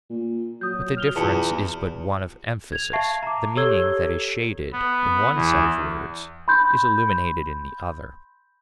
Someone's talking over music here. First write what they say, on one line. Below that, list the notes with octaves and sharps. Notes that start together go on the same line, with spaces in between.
But the difference is but one of emphasis; the meaning that is shaded in one set of words is illuminated in the other.
A#2
F#3 D#6 G6
F6 F7 G7
E2 B2 F4 A5 C#7
G#6 F7
E5 F5 A5 C#6 C7
A#5 D6
G4 A4 C#5 E6 G#6 G7
B3
E2
B5 C6 G6